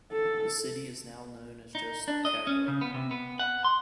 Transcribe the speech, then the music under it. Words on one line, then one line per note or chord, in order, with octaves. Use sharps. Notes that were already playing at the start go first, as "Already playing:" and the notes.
The city is now known as just "Cagua".
A4
D#4
D4
D#5
C#4
C#3
B3
C3
B3
F#5
C6